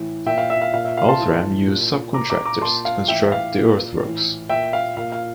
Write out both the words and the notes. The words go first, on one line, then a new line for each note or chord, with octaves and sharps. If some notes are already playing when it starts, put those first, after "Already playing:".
Outram used subcontractors to construct the earthworks.
Already playing: A2 E3
A#2 E5 G5
F5
E5
F5
A#2 F5
E5
F5
A5 C6
A2 E3
A#2
A#2 A#5 D6
A#5 D6
A#5 D6
A#2 A5 C6
F5
A2 E3 E5 G5
F5
A#2
A2 E3
A#2 E5 G5
F5
A#2 F5
F5